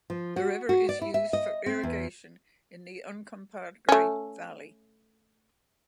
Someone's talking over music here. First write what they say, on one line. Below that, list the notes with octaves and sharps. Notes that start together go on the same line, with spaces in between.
The river is used for irrigation in the Uncompahgre Valley.
F3
F#4
F#4
D5
E4
E5
D#5
C4
E2
A3 C#4